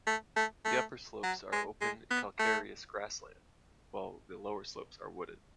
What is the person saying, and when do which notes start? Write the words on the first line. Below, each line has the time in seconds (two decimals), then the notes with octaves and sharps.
The upper slopes are open calcareous grassland, while the lower slopes are wooded.
0.07 A3
0.36 A3
0.65 A3
1.23 F#3
1.52 G#3
1.81 G#3
2.11 B3
2.39 A3